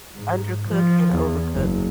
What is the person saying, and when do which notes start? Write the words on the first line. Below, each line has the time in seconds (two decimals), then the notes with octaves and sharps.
undercook and overcook
0.16 G#2
0.68 F3
1.13 E2
1.54 F#1